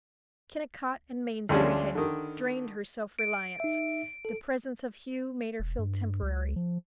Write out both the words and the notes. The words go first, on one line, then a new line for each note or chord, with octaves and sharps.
Kennicott and Main Street had drained her self-reliance; the presence of Hugh made her feel temporary.
D2 F3 G3 G#3 C#4 D4
D3 D#3
D7
D#4 E5
A4
E1
G2
C#2
F3